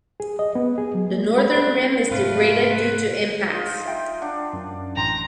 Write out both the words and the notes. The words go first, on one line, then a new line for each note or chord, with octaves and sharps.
The northern rim is degraded due to impacts.
G#4
D#5
B3
G#4
F#3
A#3
B5
C5
G#2 C3 A3 F4 B4
D#4 F4
E5 G5
D4 F#5
F#2
A1 G5 A#5 C6